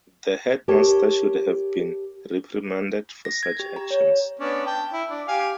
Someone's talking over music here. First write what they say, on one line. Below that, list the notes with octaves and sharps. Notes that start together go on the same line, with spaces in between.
The headmaster should have been reprimanded for such actions.
G4 A#4 C#5 A5
A#6
G#6
G4
A#5
C#5
B3 C#4 D4
G5 A5
E4
D4
G4 F5 G#5